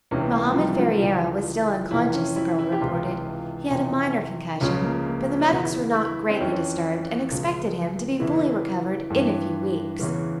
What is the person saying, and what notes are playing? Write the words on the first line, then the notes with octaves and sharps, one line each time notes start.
Mohammed Ferriera was still unconscious, the girl reported; he had a minor concussion, but the medics were not greatly disturbed, and expected him to be fully recovered in a few weeks.
C#2 C3 E3 C#4
A#3
F3
G3
F3
F3
C#2 C#3 E3
F2 C3 E3 E4
C#4
E4
E4
G4
C#2 C3 E3 F4
F2 C3 E3
C#2 C#3 F3 C#4
A#3
A#3
C#4
C#4
E2 C#3 E3 E4
E4
C4
F2 E3 C#4
C#2 C#3 F3
E2 C#3 E3 E4
G2 E3
E2 C#3 E3 C#4